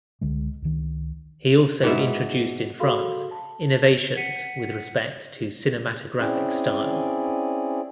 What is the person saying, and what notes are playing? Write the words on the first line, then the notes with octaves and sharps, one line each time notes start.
He also introduced in France innovations with respect to cinematographic style.
C#2 D3 G#3
C#2 D#3
G#2 B2 E4 E5
F#4 G#4 A4 F5 B5 C6
A5
F#5 B6 C#7 D#7
C4 C#4 E4 G#4 D5